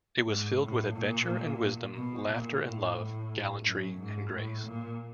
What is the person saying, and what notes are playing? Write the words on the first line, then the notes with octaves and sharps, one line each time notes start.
It was filled with adventure and wisdom, laughter and love, gallantry and grace.
G#2
A2
A#2
B2
A#2
A2
A2
F#2
G#2
A2
A#2